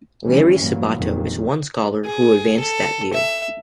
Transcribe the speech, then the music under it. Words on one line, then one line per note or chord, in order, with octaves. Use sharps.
Larry Sabato is one scholar who advanced that view.
D3 E3 F#3 G3 A3 C#4
G2 A#2 E3 F#3 A#3
G1 F2 A#2 D#3
G#4
A4
E5